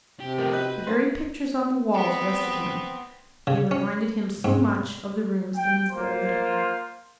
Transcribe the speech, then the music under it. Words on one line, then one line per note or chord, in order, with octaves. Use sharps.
The very pictures on the walls rested him, they reminded him so much of the rooms in his boyhood home.
C3 G4
D#3 F3 A3 B3 D#4 G4 A#4
D#3 F#4 B4 D#5 F#6 G6
B4 F#5 A5 C6
B3 C4
C#3
C#4
G#2
G5
A#3 F4 C5